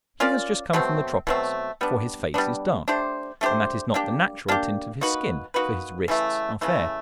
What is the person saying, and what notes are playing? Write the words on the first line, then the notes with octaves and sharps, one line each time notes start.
He has just come from the tropics, for his face is dark, and that is not the natural tint of his skin, for his wrists are fair.
C#4 F4 A#4 D5
B2 F#3 A3 C4
B2 F#3 A3 C4
G3 B3 D4
G3 B3 D4
A3 D4 G4 C5
A3 D4 G4 C5
A#3 D4 G4
A#3 D4 G4
A#3 D#4 F#4 B4
A#3 D#4 F#4 B4
C#3 E3 A3
C#3 E3 A3